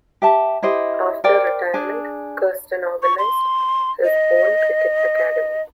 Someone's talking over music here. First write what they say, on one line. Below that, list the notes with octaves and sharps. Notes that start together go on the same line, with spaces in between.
After retirement, Kirsten organized his own cricket academy.
G4 E5 A5
E4 G4 C5 D#5
A#4 C5 D5 G5
D4 G#4 G#5
C#6
C6
D#5